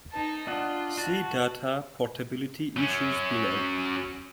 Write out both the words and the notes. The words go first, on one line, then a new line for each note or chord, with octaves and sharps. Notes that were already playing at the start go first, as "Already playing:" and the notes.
See Data portability issues below.
D#4 A5
D4 F4 D#5 F#5
F#4 A5
F#3 C#4